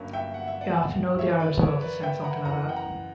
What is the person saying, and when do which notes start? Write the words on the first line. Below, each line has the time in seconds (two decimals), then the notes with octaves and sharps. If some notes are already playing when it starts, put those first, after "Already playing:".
You have to know the Arabs well to sense something like that.
Already playing: G1 G2 F#3 A#3 C#4
0.13 E5 G5
0.34 F#5
0.48 E5
0.61 D5 F#5
1.19 C#5 E5
1.40 B4 D5
1.61 A#4 C#5
1.82 B4 D5
2.03 E5 G5
2.18 B5
2.24 F#5 A#5
2.45 F#1 F#2 E3 F#5 A#5
2.62 F#5
2.69 G5
2.76 F#5 A#5